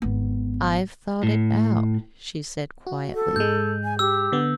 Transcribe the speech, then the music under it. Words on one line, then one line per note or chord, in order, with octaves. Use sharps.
"I've thought it out," she said quietly.
G#1 B3
A2
F#4
A4
G#2 G#3 G6
G#5
G4 E6
D3 B3